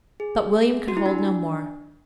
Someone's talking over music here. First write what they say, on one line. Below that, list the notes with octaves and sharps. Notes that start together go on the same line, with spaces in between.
But William could hold no more.
G#4
F#4
E4
D4